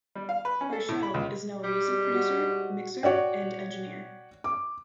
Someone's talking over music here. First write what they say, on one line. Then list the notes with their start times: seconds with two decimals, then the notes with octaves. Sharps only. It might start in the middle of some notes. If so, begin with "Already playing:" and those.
Burchell is now a music producer, mixer, and engineer.
0.16 G3
0.29 F5
0.45 B4
0.61 C#4
0.73 A4
0.89 A2
1.03 B5
1.14 C#2
1.63 G#2 G3
2.13 F#4
3.03 F#4 C#5 D5 G5
4.44 D6